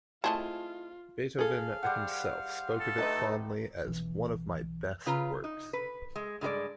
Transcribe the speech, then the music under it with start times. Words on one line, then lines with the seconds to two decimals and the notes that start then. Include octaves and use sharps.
Beethoven himself spoke of it fondly as "one of my best works".
0.24 A3 C4 E4 F4 G#4 D#5 A5
1.38 G#4 A4 F5
1.83 G3 C5 F#5
2.80 A4
2.98 A3 D#4 B4 D#5 A5
3.85 B1 E3
5.06 C#3 F4 B4 A#5
5.44 D#4
5.73 B4
6.16 G#3
6.41 G2 G#3 G4 D5